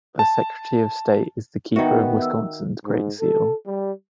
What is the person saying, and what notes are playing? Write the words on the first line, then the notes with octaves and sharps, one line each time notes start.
The Secretary of State is the keeper of Wisconsin's great seal.
A5
D#3 B3 F#4 E5 F#5 G5
E5 E6
G#2
A4
G3